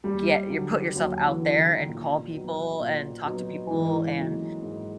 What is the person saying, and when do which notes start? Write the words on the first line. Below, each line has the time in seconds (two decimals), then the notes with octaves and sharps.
get your put yourself out there and call people and talk to people and
0.04 D#2 G3
0.50 D3 F#3
0.96 D#2 F#3
1.27 E3
1.41 D3 F#3
1.58 D#3
1.89 A#2
2.34 F#3 B3 D#4
2.80 A#2
3.26 F#3 B3 D#4
3.71 G#2 E3
4.18 D#3 F#3 A#3 C#4
4.63 G#2